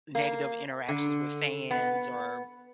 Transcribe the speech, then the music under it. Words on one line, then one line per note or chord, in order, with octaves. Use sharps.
negative interactions with fans or,
A#3
D3
B3